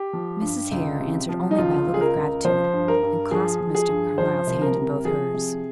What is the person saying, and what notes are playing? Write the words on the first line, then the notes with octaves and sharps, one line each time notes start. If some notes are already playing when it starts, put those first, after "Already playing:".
Mrs. Hare answered only by a look of gratitude, and clasped Mr. Carlyle's hand in both hers.
Already playing: G4
F3
G2
C#2
C3
F3
D#4
C#2 F4
C#2
G#4
A#4
C#2
F3 C5
G2
A#4
G2
F3 G#4
F3
G#4
G2
F3 C5
C2
A#4
C3
F3 G#4
C3